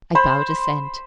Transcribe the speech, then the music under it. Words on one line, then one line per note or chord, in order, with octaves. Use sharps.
I bowed assent.
C5 B5 C6